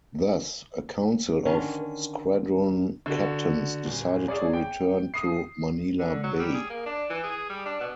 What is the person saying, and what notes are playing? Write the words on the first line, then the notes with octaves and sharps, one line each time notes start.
Thus a council of squadron captains decided to return to Manila Bay.
D3 D#3 C#4
D3 F#4
D#1
G#4 C#5 D5
G5
D#6 C7
D3
F#3
G3
G#4
A#3
D4
E3
G#4
G3
D4
B2